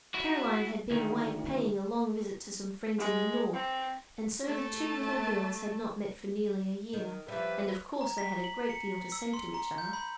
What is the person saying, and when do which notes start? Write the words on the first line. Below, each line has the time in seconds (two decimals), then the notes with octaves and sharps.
Caroline had been away paying a long visit to some friends in the North, and so the two little girls had not met for nearly a year, and of course they had a great deal to say to each other.
0.14 E4 F#4
0.91 D2 D#3
2.98 G#3
3.53 C4
4.47 A3 A5
6.93 D#3
7.28 F3 G3 B4 D5 E5
8.01 A#5
8.18 B6
8.44 F#7
8.70 C#7
9.12 E6
9.33 C6
9.54 A#5
9.78 G6
9.93 B5